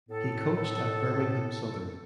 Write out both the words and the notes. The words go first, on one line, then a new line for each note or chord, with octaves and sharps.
He coached at Birmingham–Southern.
A2 B3 A4